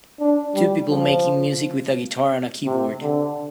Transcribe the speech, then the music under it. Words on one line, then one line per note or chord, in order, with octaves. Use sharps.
Two people making music with a guitar and keyboard.
D4
G3
F3
C3
D3